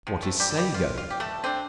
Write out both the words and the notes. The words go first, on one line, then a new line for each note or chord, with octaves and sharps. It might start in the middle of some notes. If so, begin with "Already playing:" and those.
What is Sago?
C3 F3
A3 A4
G3 G4
A4
G3 G4
F4
F4
G4
A3 A4
D3 A3 C4 D4 C5